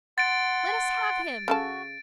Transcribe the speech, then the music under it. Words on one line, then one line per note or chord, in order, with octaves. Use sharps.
Let us have him!'
F#5 C6 A6 D7
C#3 F#4 A4 A5